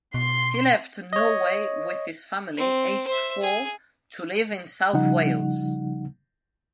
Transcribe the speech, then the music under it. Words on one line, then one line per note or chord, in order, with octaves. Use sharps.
He left Norway with his family aged four to live in South Wales.
B2 C6
C#5 D#5
C4
C5 E5
G#4
C#3 F3 G3 D#4 F#5